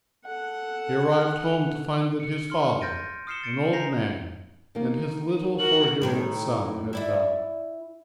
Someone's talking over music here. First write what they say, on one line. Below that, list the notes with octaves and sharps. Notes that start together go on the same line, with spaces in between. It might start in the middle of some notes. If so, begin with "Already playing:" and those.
He arrived home to find that his father, an old man, and his little four-year-old son had died.
A4 F#5
C#7
C6 F6
F6 G6 A6 A#6 D7 D#7
D#6 F6 C7 C#7 E7 G7
A6 C#7 D7
G#5 A#5 G6 A#6 C7 F7
D#3 A#3
F#4 A#4 F#7
A2 D#3 A#4
E4 D5 E5